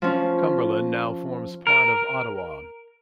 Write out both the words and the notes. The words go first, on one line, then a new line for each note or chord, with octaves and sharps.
Cumberland now forms part of Ottawa.
F3 C#4
A#4